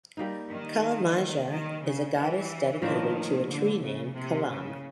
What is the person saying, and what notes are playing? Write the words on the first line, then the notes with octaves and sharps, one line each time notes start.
Kalamaja is a Goddess dedicated to a tree named Kalamb.
G3 A#3 D#4
D#3
D#3
C#3
E3
A2 D#3 F3 A#3 D4
D3
C#3
C3
C#3